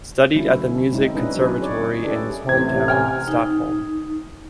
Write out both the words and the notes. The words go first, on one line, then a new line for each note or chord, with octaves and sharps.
Studied at the music conservatory in his hometown, Stockholm.
D3 F#3 A3 C#4 E4
G#3 C4 D#4 E4
G#3 C#4 D4 E4 B4 D#5
F#3 D4 B4
D#4 G#4 C#5 D5
C#4 E4 G4 A4 B4 D5
A1 C3 G#6
C5 G5 G#5 F6
D#4